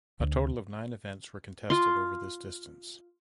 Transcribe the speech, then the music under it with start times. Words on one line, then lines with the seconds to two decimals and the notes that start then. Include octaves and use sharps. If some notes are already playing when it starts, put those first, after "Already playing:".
A total of nine events were contested over this distance.
0.20 D2
1.70 F4 C6